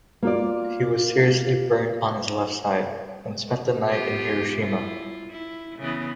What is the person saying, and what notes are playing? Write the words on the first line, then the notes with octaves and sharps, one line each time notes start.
He was seriously burnt on his left side and spent the night in Hiroshima.
A#3 F4 D5
B3 F4 G4
E4 F4
E4
C#3 E3 B3